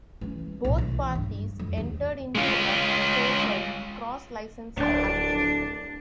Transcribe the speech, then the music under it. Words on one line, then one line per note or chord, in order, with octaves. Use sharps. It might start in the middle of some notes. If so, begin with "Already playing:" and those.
Both parties entered into a patent cross-licensing agreement.
E3 C#4
B1 A2
E3
G2
F2
D#2
G#3 F4
D1 D4